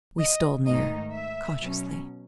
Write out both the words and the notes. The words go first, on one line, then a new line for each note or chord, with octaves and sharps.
We stole near, cautiously.
D#5
G#2 D#3 A3 D#4 D#5
E5
B2 F#3 C#4